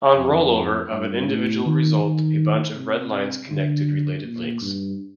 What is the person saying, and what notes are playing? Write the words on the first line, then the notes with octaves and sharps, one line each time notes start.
On rollover of an individual result a bunch of red lines connected related links.
F2
G2
A2
D#3
D#3
C3
D3
A#2
G2